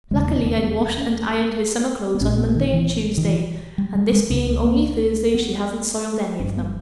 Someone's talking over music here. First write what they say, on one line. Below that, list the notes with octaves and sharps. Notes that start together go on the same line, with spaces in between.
"Luckily I'd washed and ironed her summer clothes on Monday and Tuesday, and this being only Thursday, she hadn't soiled any of them."
E1 D#2 C#3 G#3
B3
B3
A#3
B3
B3
C#4
B3
A#1 A#2 C#4
B3
D#3
E3
D#3
E3
G3
G3
G#3
C#2 C#3 B3
B3
A#3
B3
G1 G2 C#4
B3